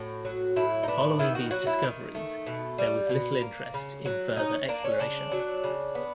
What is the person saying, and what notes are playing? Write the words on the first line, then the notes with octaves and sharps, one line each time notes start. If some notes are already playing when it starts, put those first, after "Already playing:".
Following these discoveries there was little interest in further exploration.
Already playing: A2 F#4
F#3
A2 E4
D#4
B3 D4
D#3 E4
F#4
F#3 F#4
E4
D#3
A3
B2
G3
B2
A#3
C#3
F#3
C#4 D#4
A#3 D4
C#4
C#3 D4
F#3
C#3
B3